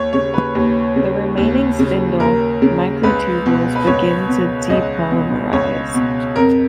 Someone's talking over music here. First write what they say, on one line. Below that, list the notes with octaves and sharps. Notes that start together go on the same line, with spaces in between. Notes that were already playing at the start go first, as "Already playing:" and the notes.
The remaining spindle microtubules begin to depolymerize.
Already playing: D#2 C#5
C#3 C#5
B4
D#2
C#3
D#2
C#3
D#2 A#4
C#3
C#2 B4
B2
B4
C#2 C#5
B2
C#2 D#5
B2
C#2 C#5
B2
F2 A#4